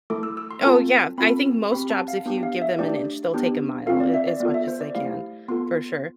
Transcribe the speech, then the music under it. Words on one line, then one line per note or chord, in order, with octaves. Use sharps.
Oh yeah, I think most jobs if you give them an inch, they'll take a mile, a as much as they can, for sure.
A3 E4 A4 D6
E6
E6
C6
C4 F4 A4 A5
C4 F4 A4 B5
C4 G4 B5
A5
F5
B3 D4 G4
F5
E5
A3 D4 G4 D5
B3 D4 G4
C4 F4 A4 F5
D5
E5
D5
B3 F4 A4 D5
E5
C5
D5
A3 E4 G4 F5
B3 F4 A4 C6